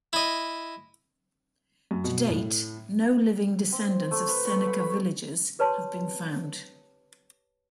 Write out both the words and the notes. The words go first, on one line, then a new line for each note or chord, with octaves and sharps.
To date, no living descendants of Seneca Villagers have been found.
E4 D#5
F#2
B2
A2
C4
A3
B4
C#5
B5
B5
G4 B4 C#5 A5 C6